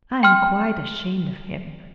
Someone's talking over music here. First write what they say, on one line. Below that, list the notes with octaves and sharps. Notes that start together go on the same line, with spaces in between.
I am quite ashamed of him.
G5 C6 F6